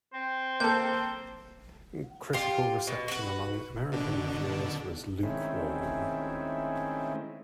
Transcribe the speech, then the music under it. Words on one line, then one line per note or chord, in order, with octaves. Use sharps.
Critical reception among American reviewers was lukewarm.
C4 C5
A#3 A4 G6
F4 G4
B2
F#4 B4
B2 D3 D4
D#3 G#3 A3 C4 C#4 E4